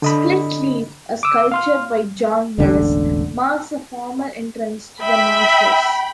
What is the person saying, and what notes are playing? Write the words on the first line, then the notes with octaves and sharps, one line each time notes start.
"Split Leaf", a sculpture by Jon Mills, marks the formal entrance to the marshes.
D3 D#5 B5
D6 E6
F5 C6 F6
E1 A1 D3 D4
E5 G5 B5